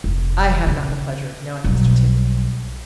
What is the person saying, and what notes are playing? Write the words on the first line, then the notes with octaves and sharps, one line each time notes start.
"I have not the pleasure of knowing Mr. Tifto."
F1
C#3
B1 G3